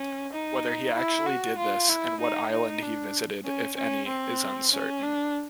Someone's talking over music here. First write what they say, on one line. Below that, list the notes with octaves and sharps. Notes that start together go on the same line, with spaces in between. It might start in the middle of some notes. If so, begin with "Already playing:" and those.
Whether he actually did this and what island he visited, if any, is uncertain.
Already playing: C#4
D#4
E4
F#4
F4
E4
D#4
D#4
D4
C#4
C#4
C4
C#4
D4